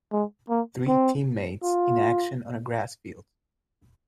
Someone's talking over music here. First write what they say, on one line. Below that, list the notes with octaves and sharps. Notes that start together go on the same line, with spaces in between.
Three teammates in action on a grass field.
G#3
A#3
C4
F4